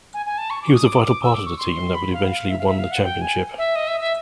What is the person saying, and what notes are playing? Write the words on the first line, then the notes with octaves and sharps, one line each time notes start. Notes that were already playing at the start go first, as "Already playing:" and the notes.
He was a vital part of the team that would eventually won the championship.
G#5
G#5
A5
C#6
D6
D#6
D6
D6
E6
D6
C#6
C6
B5
F5
F5
E5
F5
E5
F5
F#5
G5
G#5
E5
D#5
E5
E5